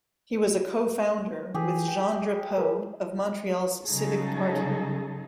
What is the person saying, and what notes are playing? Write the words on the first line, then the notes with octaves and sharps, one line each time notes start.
He was a co-founder with Jean Drapeau of Montreal's Civic Party.
E3 G4 G#4
G5
A#4 B4
C#3 F#3 G3 D#4 G#4 A4